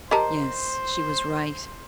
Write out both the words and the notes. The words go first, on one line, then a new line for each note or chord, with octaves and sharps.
Yes, she was right.
G4 A#4 C5 D#5 A5 A#5